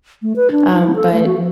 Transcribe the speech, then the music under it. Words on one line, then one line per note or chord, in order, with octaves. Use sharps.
Um, but,
A3
B4
D4
D#4
E4
A4
A3
F#4
F3